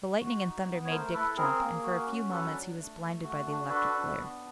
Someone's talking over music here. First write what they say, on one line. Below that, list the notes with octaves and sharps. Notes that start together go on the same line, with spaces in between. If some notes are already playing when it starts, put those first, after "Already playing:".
The lightning and thunder made Dick jump, and for a few moments he was blinded by the electric glare.
F#4
D#4
B3
C#5
A3 A#4 C5
E4 A4 B4
C4 G#4 A#4
A#3
F#4
C#4
F#3 A4 B4
D4
A3
A3
F#4
D4
F#4 A4 B4
D4
B3